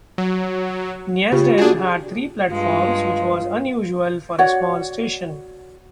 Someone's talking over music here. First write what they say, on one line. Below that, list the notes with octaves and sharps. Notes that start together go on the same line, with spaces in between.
Neasden had three platforms, which was unusual for a small station.
F#3
C#3 F4 G4
D4 F#4 G#4
G2 G#3 F4
F#4 C#5 D5 F#5